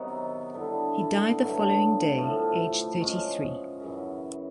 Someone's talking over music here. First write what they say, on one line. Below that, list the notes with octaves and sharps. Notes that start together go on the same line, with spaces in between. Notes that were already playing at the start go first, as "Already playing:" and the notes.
He died the following day, age thirty-three.
Already playing: C3 D#3 F#3 B3
D3 G3 B3 E4
G2 D3 F#3 A3
A2 F3 A3
F3 G#3 C#4 F4
F#2 C#3 E3